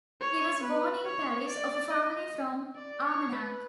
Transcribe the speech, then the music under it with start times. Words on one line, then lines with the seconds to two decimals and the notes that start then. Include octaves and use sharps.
He was born in Paris, of a family from Armagnac.
0.20 C#5
0.63 B4
1.06 C#5
1.49 D5
1.90 D#5
2.76 D5
3.05 C#5
3.32 B4